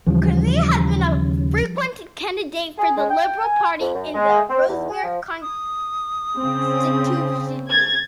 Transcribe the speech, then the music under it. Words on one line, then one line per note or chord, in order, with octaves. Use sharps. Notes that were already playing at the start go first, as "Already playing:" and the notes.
Connelly has been a frequent candidate for the Liberal Party in the Rossmere constituency.
D#2 C#3 E3 F3 G3
G#4
G#3
G5
G#5
F2
F#2
G#3
C4
E2
G#4
F3
D#6
C#3 C4
G#6 A6